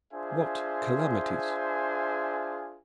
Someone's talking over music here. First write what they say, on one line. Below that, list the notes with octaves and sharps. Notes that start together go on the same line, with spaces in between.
What calamities?
D4 F4 G#4 C5 E5 G#5